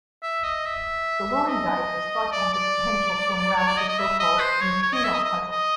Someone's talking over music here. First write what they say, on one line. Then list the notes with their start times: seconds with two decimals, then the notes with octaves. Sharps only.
The lorandite is thought to have the potential to unravel the so-called "neutrino puzzle".
0.23 E5
0.44 D#5
0.66 E5
1.49 D#5
2.32 D5
2.53 D5
3.57 C#5
3.67 D5
3.78 D#5
3.89 D#5
3.98 E5
4.20 D#5
4.37 B4
4.40 C5
4.61 C#5
4.83 C#5
4.93 D#5
5.04 E5
5.14 D#5
5.25 D#5
5.52 D#5